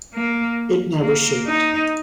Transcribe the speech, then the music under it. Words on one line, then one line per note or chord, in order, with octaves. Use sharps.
It never shipped.
A#3
A#3
D#4